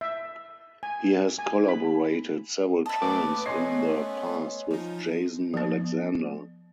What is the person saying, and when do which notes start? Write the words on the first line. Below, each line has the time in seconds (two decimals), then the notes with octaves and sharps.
He has collaborated several times in the past with Jason Alexander.
0.01 E5
0.83 G#5
1.39 G#5
1.68 B5
2.86 D#5 E5 A5 B5
3.02 A3 B3 C#4 B4 D6
3.46 C#5 D#5 G#5 C6 C7
4.71 F3 D#4
5.54 F3 B3